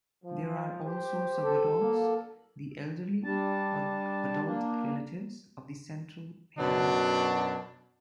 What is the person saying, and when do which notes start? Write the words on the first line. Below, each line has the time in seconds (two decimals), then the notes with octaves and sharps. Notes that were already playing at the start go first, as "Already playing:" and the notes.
There are also subadults, the elderly, or adult relatives of the central pair.
0.23 F3
0.83 G4 C5
1.43 A4
1.79 D3 F#3 A#3
3.24 G3 D4 A5
4.46 A#3 D4
6.58 F#2 B2 F#3 D4